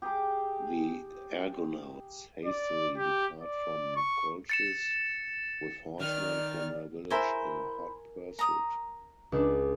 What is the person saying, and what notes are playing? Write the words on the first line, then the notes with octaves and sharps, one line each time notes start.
The Argonauts hastily depart from Colchis, with horsemen from her village in hot pursuit.
G4 G#4 G5 D6
D5
G4
D5
C#6
A6 C#7 E7
D#3 D5 F6
E4 A#4 C5 G#5
A#5 D#6
C#2 D4